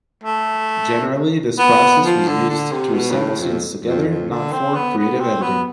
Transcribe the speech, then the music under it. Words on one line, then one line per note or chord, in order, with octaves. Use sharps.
Generally this process was used to assemble scenes together, not for creative editing.
A3
B3
F3
D3
D3
C3
B2
G2
A2
F2
F2
F2
D3
C4
B3
B3
C4
B3